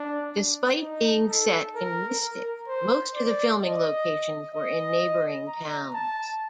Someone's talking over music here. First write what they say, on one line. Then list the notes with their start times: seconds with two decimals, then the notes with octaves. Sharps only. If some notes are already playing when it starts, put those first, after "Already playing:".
Despite being set in Mystic, most of the filming locations were in neighboring towns.
Already playing: D4
0.81 D#4
1.28 A4
1.75 A#4
2.22 A#4
2.68 C5
3.15 D5
3.61 D#5
4.54 D#5
5.48 A#5
5.94 A5